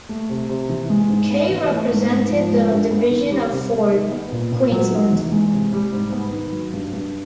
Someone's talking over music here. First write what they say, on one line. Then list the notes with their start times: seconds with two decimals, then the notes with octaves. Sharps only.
Kay represented the Division of Forde, Queensland.
0.09 A3
0.29 C3
0.49 C3
0.69 E3
0.90 G#3
1.10 G#2
1.30 B3
1.50 E3
1.70 A3
1.91 G#2
2.11 G#2
2.31 F3
2.51 G#3
2.71 G2
2.91 B3
3.11 D#3
3.31 G3
3.51 C3
3.71 B3
3.92 D#3
4.12 B3
4.32 A#2
4.52 A#2
4.72 F#3
4.92 D#3
5.12 E2
5.32 G#3
5.52 C3
5.72 G3
5.93 G#2
6.13 B3
6.33 D#3
6.52 F#3
6.73 G2
6.93 G2